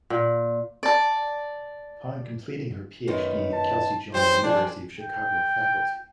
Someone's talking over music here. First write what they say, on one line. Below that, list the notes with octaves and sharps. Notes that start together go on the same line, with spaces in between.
Upon completing her Ph.D., Kelsey joined the University of Chicago faculty.
A#2
D5 A5
F#2 D#3 B3
A5
F#2 E3 G4 C5
F3 D4 G#4 D5
G5